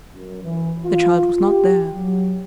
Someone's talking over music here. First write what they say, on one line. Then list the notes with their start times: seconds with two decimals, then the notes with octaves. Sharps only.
The child was not there.
0.14 F#2
0.43 E3
0.84 F4
1.42 G4
1.93 F#3